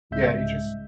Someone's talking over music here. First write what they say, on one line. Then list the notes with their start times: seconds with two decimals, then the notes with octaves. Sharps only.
Yeah, you just
0.11 C2 G#2 C#3 G#3 E5 G6